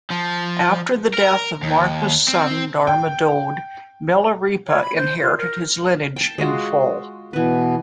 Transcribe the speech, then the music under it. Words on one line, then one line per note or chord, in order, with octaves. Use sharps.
After the death of Marpa's son, Darma Dode, Milarepa inherited his lineage in full.
F3
A#4
D#2
C4
G5
C#5
B5
C5
F4
A#4
G5 A5
G#3 F4 F#4
B2 E3 B3 B4